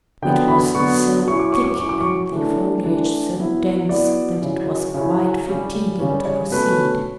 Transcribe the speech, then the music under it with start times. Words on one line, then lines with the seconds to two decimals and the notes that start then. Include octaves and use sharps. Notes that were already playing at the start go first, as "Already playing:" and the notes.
It was so thick, and the foliage so dense, that it was quite fatiguing to proceed.
0.22 D3 F#3 B3 G5
0.48 B5
0.75 D3 F#3 B3 C#6
1.27 F#3 C#4 E4 C#6
1.39 D6
1.52 C#6
1.64 D6
1.77 F#3 C#4 E4 C#6
1.89 D6
2.01 C#6
2.32 E3 A3 D4
2.84 E3 A3 D4
3.37 F#3 B3 E4
3.89 F#3 B3 E4 D5
4.42 C#3 F#3 C#4 E4
4.94 C#3 F#3 C#4 E4
5.46 C#3 G3 C#4
5.99 C#3 G3 C#4
6.25 C#5
6.51 B2 A3 C#4 B4